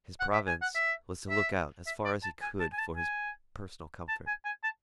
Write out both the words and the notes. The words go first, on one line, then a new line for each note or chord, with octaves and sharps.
His province was to look out, as far as he could, for his personal comfort.
F#5
E5
G#5
F#5
E5
E5
E5
D5
A5
G#5
A5
G#5
A5
G#5
A5
G#5
G#5
A5